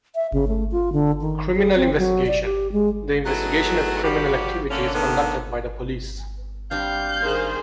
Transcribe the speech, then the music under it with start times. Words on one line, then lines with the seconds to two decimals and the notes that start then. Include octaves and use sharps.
Criminal investigation: the investigation of criminal activity is conducted by the police.
0.15 E5
0.33 C#3
0.48 A3
0.72 F4
0.93 D3
1.21 D#3
1.55 G#4
1.76 C4
1.98 F#3
2.27 D5
2.44 G4
2.72 G#3
3.25 F#3 A3 B3 D#4 E4 G#4
4.03 F3 G3 F#4 G4
4.70 D3 A#3 C#4
4.94 D3 D#3 A3 B3
6.71 G3 C4 D4 F5 G6
7.24 D#3 G#4 C5